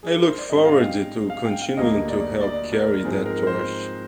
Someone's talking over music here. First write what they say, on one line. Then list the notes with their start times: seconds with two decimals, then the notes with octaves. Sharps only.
I look forward to continuing to help carry that torch.
0.03 G#4
0.15 A#4
0.26 C5
0.38 D5
0.50 G#2 G3 C4 D#5
0.65 F5
0.82 G5
1.30 F5
1.45 G5
1.62 F5
1.77 D2 D3 G3 A#3 D#5
2.09 D5
2.41 D5
2.72 A#4
3.04 G#2 F3 C4 G#4
3.26 A#4
3.47 C5